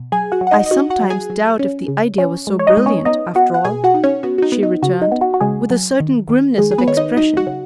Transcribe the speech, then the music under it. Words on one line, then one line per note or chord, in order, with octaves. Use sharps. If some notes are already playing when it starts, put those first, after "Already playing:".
"I sometimes doubt if the idea was so brilliant, after all," she returned, with a certain grimness of expression.
Already playing: B2
F#3 G#4 G#5
F#4 F#5
F#3
F#5
D#4 D#5
D#5
D#4 F#4 F#5
F#4 F#5
F#3
G#4 G#5
F#3
C#4
C#3
C#4
G#3
C#5
D#4 D#5
G#3
C#4 C#5
B3 D#4 D#5
B3 F#4 F#5
F#5
B2 G#4 G#5
F#4 F#5
D#4
C#4 C#5
B3 F#4
F#4
D#4
B3
D#4
C#3 F#4
D#4
B3
F#4
F#4
C#3 G#3 G#4
F#3
D#3
D#3
D#3 G#3 G#4
G#4
B3 B4
D#3 C#5
D#4 D#5
F#3 D#4 D#5
F#4 F#5
C#3